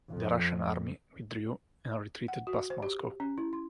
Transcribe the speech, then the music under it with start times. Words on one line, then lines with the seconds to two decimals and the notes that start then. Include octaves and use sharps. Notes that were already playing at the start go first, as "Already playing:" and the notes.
The Russian army withdrew and retreated past Moscow.
0.12 F2
2.28 F#5
2.47 F#4
2.70 C5
2.83 G4
3.20 C#4
3.38 E4
3.53 C6